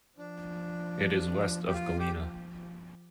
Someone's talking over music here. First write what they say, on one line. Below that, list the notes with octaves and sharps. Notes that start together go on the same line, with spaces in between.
It is west of Galena.
F3 D4
G4
F4
G4